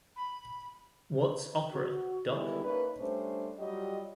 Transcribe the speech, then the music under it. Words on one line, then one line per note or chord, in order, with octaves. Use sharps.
What's Opera, Doc?
B5
F#4
D3 D#3 G3 G#3 B3 E4
A#3 C#4 D#4 B4
G3 A3 C#4 D4 C5
F#3 G3 F4 G4 D#5